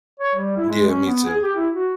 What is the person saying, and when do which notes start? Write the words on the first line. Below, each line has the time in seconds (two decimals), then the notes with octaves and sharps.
Yeah, me too.
0.20 C#5
0.35 G3
0.57 E4
0.68 G#3
0.87 C#4
1.06 B3
1.25 G#4
1.42 G4
1.56 E4
1.72 F#4